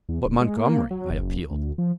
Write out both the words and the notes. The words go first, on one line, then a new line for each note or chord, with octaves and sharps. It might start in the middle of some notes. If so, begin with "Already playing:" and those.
"But, Montgomery," I appealed.
E2
D1
G#3
A#3
F#3
F#1
D2
F3